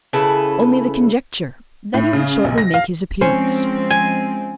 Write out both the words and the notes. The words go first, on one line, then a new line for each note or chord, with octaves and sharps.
Only the conjecture: that he would shortly make his appearance.
C#3 E4 A4 B4
A2
C#3
B1
A#6
F5
F3 G#3 C4 C#4 C5
G#5